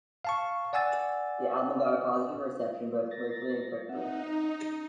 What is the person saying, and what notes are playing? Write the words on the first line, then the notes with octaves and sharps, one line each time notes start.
The album got a positive reception, both commercially and critically.
F5 A5 C#6
D5 F#5 G#5 E6 A6
A#4 A6 A#6
C4 D#4 E5 F#5
C#4